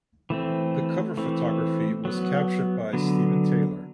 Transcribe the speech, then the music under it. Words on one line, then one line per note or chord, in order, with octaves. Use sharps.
The cover photography was captured by Steven Taylor.
E3 A3 C4
E3 A3 C4
F#3 B3
D3 F#3 B3